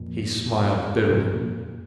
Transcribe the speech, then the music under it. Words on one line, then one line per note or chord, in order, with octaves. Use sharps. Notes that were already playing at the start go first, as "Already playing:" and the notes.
He smiled bitterly.
Already playing: F2 A#2
G#2 C3
C3
F2 A#2